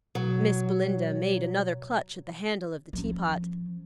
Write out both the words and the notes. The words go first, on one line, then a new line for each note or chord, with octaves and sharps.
Miss Belinda made another clutch at the handle of the teapot.
B2 F#3
F3 C#4